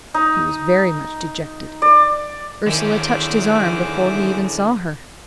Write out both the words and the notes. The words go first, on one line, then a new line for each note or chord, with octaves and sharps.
He was very much dejected--Ursula touched his arm before he even saw her.
D#4
D5
E2 D3 D#3 C#4 C5 E5 D6